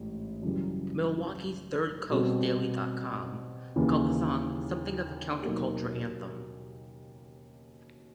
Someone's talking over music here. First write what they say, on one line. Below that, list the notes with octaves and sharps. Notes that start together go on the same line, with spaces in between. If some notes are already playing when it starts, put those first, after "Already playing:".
Milwaukee's "Third Coast Daily dot com" called the song "something of a counterculture anthem".
Already playing: A1 G#2
F#2 C#3 E3 G3
B2 G3 C4
D#2 C#3 E3
B2 F#3 A#3 D#4 G4